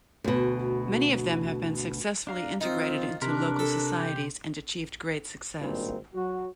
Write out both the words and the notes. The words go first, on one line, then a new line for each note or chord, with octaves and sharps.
Many of them have been successfully integrated into local societies and achieved great success.
D2 B2
D4 F5 A#5
D#3 F3 C4 D#4 F4
C3 D4 A#4 B4 C6 B6
A4
G4
G#1 G2 A#2 D#3 A#3 C4
F#3 F#4